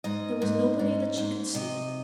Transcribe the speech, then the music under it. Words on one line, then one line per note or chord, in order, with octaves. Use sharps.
There was nobody that she could see.
G#2 D#5
G#2
G#2
G#2
C3 D#5